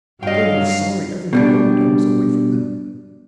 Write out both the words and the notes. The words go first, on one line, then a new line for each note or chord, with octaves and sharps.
They were sorry every moment I was away from them.
G2 F#3 D#5 F5 G5
B2 G3 D4